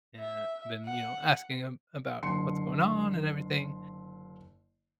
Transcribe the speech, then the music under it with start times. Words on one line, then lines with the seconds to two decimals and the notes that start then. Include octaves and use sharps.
and I've been, you know, asking him about what's going on, and everything,
0.20 E5
0.86 F#5
2.23 F#1 D3 C6 C#7